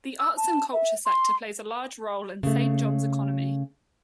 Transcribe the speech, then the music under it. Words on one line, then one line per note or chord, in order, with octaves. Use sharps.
The arts and culture sector plays a large role in Saint John's economy.
E6
A5
E5
C6
C#3 A3